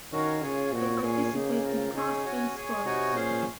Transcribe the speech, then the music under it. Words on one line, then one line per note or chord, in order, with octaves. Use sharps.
They participate in Class B Sports.
D#3 C#4 F#4 A#4 C#5 F5
C#3 F4 G#4 C#5 G#5
A#2 C4 F#4 C#5
A#2 G#4 C#5 F5 G#5
C#3 A#3 D#4 G#4
C4 F4 A#4
C#3 D#4 G#4 C#5 G#5
C#4 F#4 C#5 G#5
G#4 C#5 G#5
C3 D#4 F#4 C#5 G#5
A#2 C#4 G#4 C5 F5